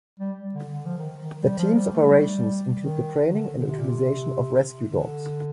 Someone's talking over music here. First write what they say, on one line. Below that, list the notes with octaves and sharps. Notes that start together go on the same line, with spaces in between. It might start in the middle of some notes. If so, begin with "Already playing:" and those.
The team's operations include the training and utilisation of rescue dogs.
G3
D3
D3
F3
D#3
D#3
G3
F3
G3
A3
G3
D#3
D3
D3
C3
A#2
C3
D3